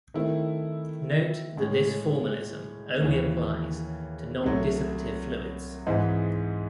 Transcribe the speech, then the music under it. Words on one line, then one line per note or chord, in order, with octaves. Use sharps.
Note that this formalism only applies to nondissipative fluids.
D#3 A3 C4 E4
A2 G#3 C#4
D#2 C#3 E3
C2 C3 F#3 A3
G#2 E3 G#3 C4 D#4